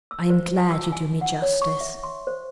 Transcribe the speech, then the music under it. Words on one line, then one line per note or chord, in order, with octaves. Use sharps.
I am glad you do me justice.'
E6
C5
G#5
E6
G#5
F#5
C#5
C#6
E5
C6
C5